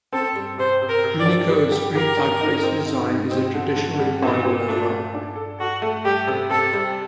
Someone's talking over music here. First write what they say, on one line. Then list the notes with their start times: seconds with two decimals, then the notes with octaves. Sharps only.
Junicode's Greek typeface design is a traditional revival as well.
0.13 C4 A4
0.35 G3
0.58 C3 C5
0.82 C3
0.88 A#4
1.04 C3
1.19 D5
1.26 D4
1.50 G3
1.72 G4
1.95 G4 A#4
2.17 D4
2.41 D#4
2.63 C4
2.86 D#4
3.08 D#4
3.31 C4
3.54 D3
3.76 D3
3.99 G3
4.22 A#2 D#4
4.45 A#2
4.68 A3 D4
4.90 A#2
5.14 D4
5.36 A4
5.59 F#4 A4
5.82 A3
6.04 G3 G4
6.27 C3
6.49 C3 A4
6.73 G3